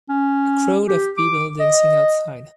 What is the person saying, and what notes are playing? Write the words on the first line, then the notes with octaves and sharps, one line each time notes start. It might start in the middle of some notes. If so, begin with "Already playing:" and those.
A crowd of people dancing outside.
C#4
G4
D6
D#5